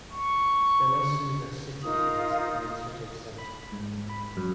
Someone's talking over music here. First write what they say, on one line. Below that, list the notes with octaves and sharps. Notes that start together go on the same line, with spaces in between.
Bilasuvar city is its administrative center.
C#6
D#4 F4 A#4 D#6
B5
G#2
B5
F#2